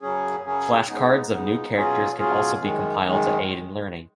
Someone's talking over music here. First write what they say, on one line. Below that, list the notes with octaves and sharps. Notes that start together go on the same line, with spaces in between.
Flashcards of new characters can also be compiled to aid in learning.
F#2 C#3 F#3 C#4 G#4
F#2 C#3 F#3 C#4 G#4
C#3 G#3 B3 D#4
C#3 G#3 B3 D#4
B2 F#3 C#4 F4 G#4
B2 F#3 C#4 F4 G#4
F#2 D#3 G#3
F#2 D#3 G#3